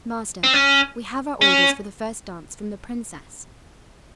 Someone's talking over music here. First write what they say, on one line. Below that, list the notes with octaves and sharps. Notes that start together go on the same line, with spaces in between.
"Master, we have our orders for the first dance from the princess."
C4
C#4
C#4